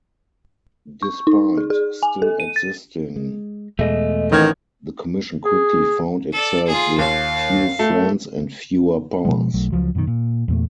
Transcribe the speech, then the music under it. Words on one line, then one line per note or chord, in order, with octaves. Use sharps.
Despite still existing, the Commission quickly found itself with few friends and fewer powers.
C#6
D#4
G#4
G#4
G#5
A4
D#7
A6
G#3
E2 B2 G#3 A3 D#5
A1 D#3 F6 G#6
G#4
A4 D5
F4 G#4
D#2 F5
A3
B2 F3 G#3
B1 F#3 A3
C#2 F3 F#3
F#2 B2 D3 D#3
A#2
E2 A#2 A3